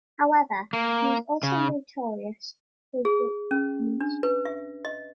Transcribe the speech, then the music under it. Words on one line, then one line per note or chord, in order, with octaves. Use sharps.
However, he was also notorious for his weight problems.
A#3
C#3
G#4
C#4
D4
B4
E5
D#5